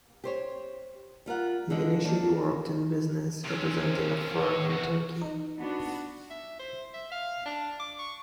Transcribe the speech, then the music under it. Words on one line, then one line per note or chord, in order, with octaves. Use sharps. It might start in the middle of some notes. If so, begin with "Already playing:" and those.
He initially worked in business, representing a firm in Turkey.
G4 C5 C#5
G3 F4 A#4 F#5
D3 F3 G#3 B3
D#3 F3 A#3 D4
C3 C#4
A#4 C5
A2 B4 C#5 C#6
C3 F#4
D#4
B3 D4 F#4
E5
C5
E5
F5
D4
D6
C#6